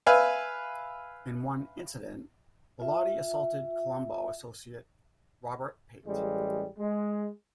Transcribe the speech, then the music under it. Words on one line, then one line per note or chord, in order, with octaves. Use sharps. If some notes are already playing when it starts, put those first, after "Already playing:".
In one incident, Bilotti assaulted Colombo associate Robert Pate.
B4 E5 F5 G#5
F4 E5
A1 G3 G#3
G#3